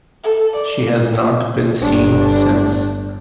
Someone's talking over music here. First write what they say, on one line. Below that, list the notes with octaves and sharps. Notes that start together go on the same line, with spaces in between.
She has not been seen since.
A4
D5
G1 D4